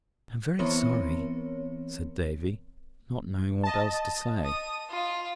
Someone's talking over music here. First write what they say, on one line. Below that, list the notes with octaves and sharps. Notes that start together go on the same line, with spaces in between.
"I'm very sorry," said Davy, not knowing what else to say.
E3 B3 C4 A#4 C#5
D#5 A5
D#6
F4